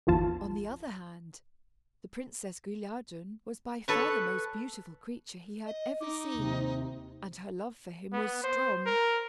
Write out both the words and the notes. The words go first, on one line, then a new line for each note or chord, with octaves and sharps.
On the other hand, the Princess Guilliadun was by far the most beautiful creature he had ever seen, and her love for him was strong.
G#1 E2 F3 F4 A5
A4 B4 C#5
D#5
D#4 D6
D#2 C3
B3
C5
A#4